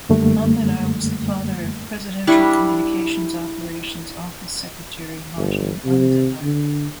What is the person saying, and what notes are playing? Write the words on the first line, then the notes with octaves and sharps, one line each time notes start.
Andanar was the father of Presidential Communications Operations Office Secretary Martin Andanar.
F#2 D3 G3 A3 A#3
G3 D4 E4 C#6
G1
C3
D3